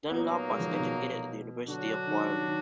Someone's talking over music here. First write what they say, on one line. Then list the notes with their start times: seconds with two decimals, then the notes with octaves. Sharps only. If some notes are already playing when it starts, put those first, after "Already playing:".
Dunlop was educated at the University of Waterloo.
0.10 A#2 F#3 A#3 B3 D#4
0.50 G#3
0.59 F3
0.69 D#3
0.79 B2
1.67 D3 F#3 D4 F#4
2.07 D#3
2.46 D#3